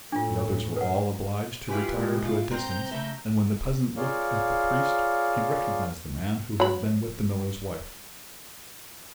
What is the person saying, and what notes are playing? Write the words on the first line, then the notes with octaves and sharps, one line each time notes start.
The others were all obliged to retire to a distance, and when the peasant looked at the priest, he recognized the man who had been with the miller's wife.
A2 D4 F4
B4 F#5
E4 F4 G4 B4 G#5
A2 G#3
F4
C4 C5 A#5 G6
C#3 A3 E5
F4 G#4 A#4 C#5 D5 F5
F#3 B5